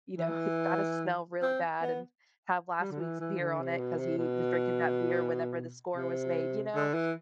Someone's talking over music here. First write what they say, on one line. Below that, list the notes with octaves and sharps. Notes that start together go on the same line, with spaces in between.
You know, it's gotta smell really bad and have last week's beer on it 'cause he was drinking that beer whenever the score was made, you know?
E3
C4
B3
G3
D3
E3
E3
D3
C3
B2
C3
B2
C3
D3
E3